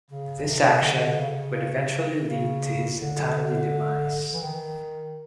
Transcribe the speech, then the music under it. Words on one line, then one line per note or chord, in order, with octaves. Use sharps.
This action would eventually lead to his untimely demise.
C#3
C3
D3
C#3
C#3
D3
E3
D#3